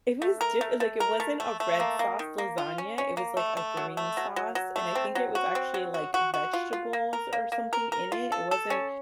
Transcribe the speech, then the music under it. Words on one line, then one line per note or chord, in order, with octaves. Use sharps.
It was differ like, it wasn't a red sauce lasagna, it was, like, a green sauce, and I think it was actually, like, vegetables or something in it, It wasn't
A3
A#4
A3
A3
A#4
A3
A3
A3
A#3
A#3
D#3
A#3
F4
C#4
C#4
A#3
A3
A3
F#3
A3
F#3
F#3
F#3
A3
C4
F#3
F#4
C4
F#3
F#4
F#4
F#4
F4
F4
A#3
A#4
A#3
A#3
A#4
A#4
F4
A4
A4
C#4